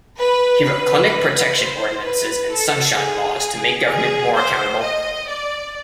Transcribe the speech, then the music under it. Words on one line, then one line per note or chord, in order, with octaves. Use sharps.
He wrote clinic protection ordinances and sunshine laws to make government more accountable.
B4
B4
C5
B4
A4
G#4
G#4
C5
D#5
D5